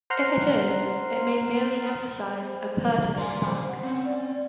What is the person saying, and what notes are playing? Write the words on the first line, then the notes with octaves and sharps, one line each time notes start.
If it is, it may merely emphasize a pertinent fact.
C5 F#5 A#5 C6 F6 C7
C5
D5 F5 G#5 C6
C5
F#5
C4 C#4
D5